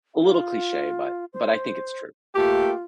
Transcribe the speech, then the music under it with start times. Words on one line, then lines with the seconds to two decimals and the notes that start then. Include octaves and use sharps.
a little cliche, but but I think it's true.
0.22 F4
1.33 C5
2.36 A3 A#3 F4 G4